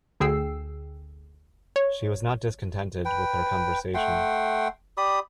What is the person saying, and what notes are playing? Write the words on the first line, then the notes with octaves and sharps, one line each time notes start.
She was not discontented with her conversation.
D2 D3 G#4 G5 E6 C7
C#5
B4 G5
A3 F#5 G5 C6
G4 D5 B5 D#6